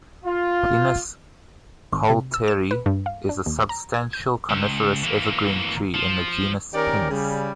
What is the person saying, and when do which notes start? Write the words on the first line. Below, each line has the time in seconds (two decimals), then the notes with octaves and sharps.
"Pinus coulteri" is a substantial coniferous evergreen tree in the genus "Pinus".
0.25 F4
1.92 G#1
2.10 C3
2.34 E6
2.48 E7
2.71 B4
2.86 G2
3.06 F5
3.29 D4
3.46 D#2
3.69 A#5
3.94 G#6
4.13 G6
4.50 C#2
5.04 E3 A#3
5.94 F3
6.74 D#3 C#4 G4 A#4 D5
7.10 C#3 G3